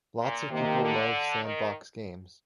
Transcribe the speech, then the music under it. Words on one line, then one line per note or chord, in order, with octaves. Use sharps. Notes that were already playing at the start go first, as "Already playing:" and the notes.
Lots of people love sandbox games.
A#2
C3 D#3 A#3 D#4 G4 A#4
D3
D#3